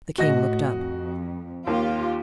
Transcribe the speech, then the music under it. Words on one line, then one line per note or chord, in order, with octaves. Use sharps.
The king looked up.
A2 F#4 D#5 A#6
F2
D#2 F4 G4